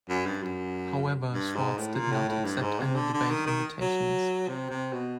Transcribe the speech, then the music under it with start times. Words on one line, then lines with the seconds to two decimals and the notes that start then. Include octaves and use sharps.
However, Schwartz did not accept any debate invitations.
0.09 F#2
0.26 G2
0.43 F#2
1.33 G2
1.55 G#2
1.77 A2
1.94 A#2
2.11 A2
2.28 A2
2.45 G2
2.62 G#2
2.80 C3
2.95 D3
3.13 D3
3.30 D#3
3.47 D#3
3.81 F#3
4.48 C3
4.70 C3
4.93 B2